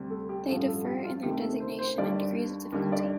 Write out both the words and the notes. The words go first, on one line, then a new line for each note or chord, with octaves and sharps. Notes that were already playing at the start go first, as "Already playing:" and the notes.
They differ in their designation and degrees of difficulty.
Already playing: D2 C3 G3
A4
G4
A1 G2 F3 A4
A4
G4
F4
D2 C3 D#3 A3 G4
A4
C5
C5
D#2 D3 G3 D5
D#2 D3 G3
D5